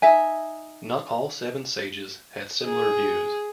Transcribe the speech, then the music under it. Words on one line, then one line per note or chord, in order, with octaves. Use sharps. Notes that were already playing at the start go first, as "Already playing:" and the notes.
Not all seven sages had similar views.
D#4 E5 G#5
G#4